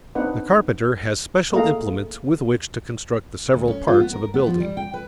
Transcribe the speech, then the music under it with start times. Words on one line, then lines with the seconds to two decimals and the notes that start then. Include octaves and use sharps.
The carpenter has special implements with which to construct the several parts of a building.
0.15 B3 C4 D4 D#4 B4 F#5
1.52 A3 A#3 G#4 D#5 F5 A#5
3.54 D2
3.68 C#4
3.88 F4
4.00 B3
4.13 A#4
4.34 B3
4.47 F3
4.60 G3
4.77 G5
4.94 B4